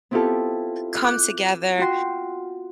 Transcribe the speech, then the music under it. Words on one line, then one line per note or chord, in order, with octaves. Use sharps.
come together,
B3 C4 E4 F4 G4 A4
D6 F#6 G6
F4 F#4 G5 C6